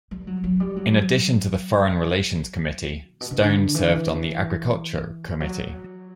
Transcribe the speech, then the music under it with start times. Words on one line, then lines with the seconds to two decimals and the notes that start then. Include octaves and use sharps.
In addition to the Foreign Relations Committee, Stone served on the Agriculture Committee.
0.11 G3
0.27 F#3
0.44 F#3
0.60 G3
0.76 F#3
3.09 A#2
3.21 B2
3.31 C#3
3.42 D3
3.75 E3
5.40 F#3